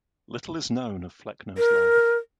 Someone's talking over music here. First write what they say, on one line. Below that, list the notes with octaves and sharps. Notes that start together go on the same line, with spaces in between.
Little is known of Flecknoe's life.
A#4